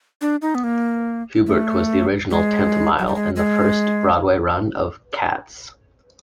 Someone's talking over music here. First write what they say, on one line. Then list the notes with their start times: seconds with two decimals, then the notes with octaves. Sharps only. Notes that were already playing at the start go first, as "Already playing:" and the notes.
Hubert was the original Tantomile in the first Broadway run of "Cats".
0.21 D4
0.42 D#4
0.55 B3
0.64 A#3
1.47 A3
2.30 G#3
2.99 F#3
3.07 G3
3.15 G#3
3.36 G#3